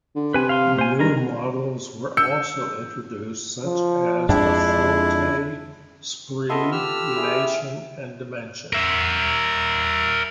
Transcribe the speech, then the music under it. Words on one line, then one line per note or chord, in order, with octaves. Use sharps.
New models were also introduced, such as the Forte, Spree, Elation and Dimension.
D3
C3 B4 G#5
F5 C6
C5 G#5
G2 G#3 A#4 A#5
E6 G6 C#7
F3
F2 G#3 D4 E4
B3 F4 A4 D#5 E5 C6
G4 E6 F6
G3 E4 G#4
A#4 E5